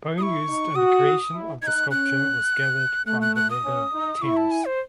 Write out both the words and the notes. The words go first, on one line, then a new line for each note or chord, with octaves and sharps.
Bone used in the creation of the sculpture was gathered from the River Thames.
E4 C#6 D#6
D#4
F#4 D#6
E4
D#4 F#6 G#6
C#4 F#6
A3 F#6
F#6
F#6
D#6
C#4
D#4
E4 C#6
A5
G#5
C5